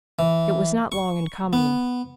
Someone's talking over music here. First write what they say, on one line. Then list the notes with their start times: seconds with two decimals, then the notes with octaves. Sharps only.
It was not long in coming.
0.19 E3
0.92 C#6
1.53 B3